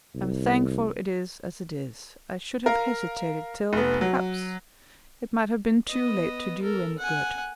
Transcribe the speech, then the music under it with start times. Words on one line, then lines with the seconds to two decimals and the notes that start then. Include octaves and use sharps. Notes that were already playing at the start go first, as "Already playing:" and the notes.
I'm thankful it is as it is; I should have hesitated till, perhaps, it might have been too late to do any good.
0.15 C2
2.66 A#4 F5
3.73 F1 B3
4.01 F#3
5.89 B3 D#5
6.62 A4 A#4
6.98 F#5 G#5